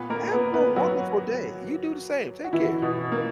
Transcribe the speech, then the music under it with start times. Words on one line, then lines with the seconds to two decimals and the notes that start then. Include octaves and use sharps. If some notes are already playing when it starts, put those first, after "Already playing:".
Have a wonderful day. You do the same. Take care.
Already playing: A#2 B3 B4
0.10 A#3 A#4
0.32 B3 B4
0.54 B3 B4
0.76 F#3 F#4
2.44 F#4
2.53 E3 E4
2.82 B2 B3
3.12 A#3